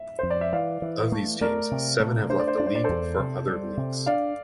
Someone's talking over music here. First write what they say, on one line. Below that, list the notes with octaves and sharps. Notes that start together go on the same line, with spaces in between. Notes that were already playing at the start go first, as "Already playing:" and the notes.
Of these teams, seven have left the league for other leagues.
Already playing: E5
F2 C5
D5
E5
E3 D5 F5
E3
A3
A3 A#4 D5
C3
A3
D4 C5
D5
C5
D4 D5
C5
D5
E2 A4 C5
C3
G3
C3
D4 D5 F5